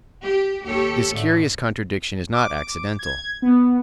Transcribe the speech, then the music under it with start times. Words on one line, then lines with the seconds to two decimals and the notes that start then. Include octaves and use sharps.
This curious contradiction is not accidental.
0.22 G4
0.64 D#2 G4 A4 C#5
1.11 A2 D3 A3
2.34 D6
2.99 G#6
3.42 B3